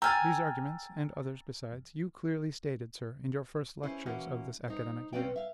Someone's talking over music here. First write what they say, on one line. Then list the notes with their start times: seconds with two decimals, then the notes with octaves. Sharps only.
These arguments, and others besides, you clearly stated, sir, in your first lectures of this academic year.
0.02 G5 G#5 A#5 E6 F6 A6
3.83 C#4 E4 G#4 C5
4.06 E3 A#3 C#4 F#4
4.68 D#4 C5
5.13 C4 C#4 B4 D5 F5 G5
5.36 E5 F5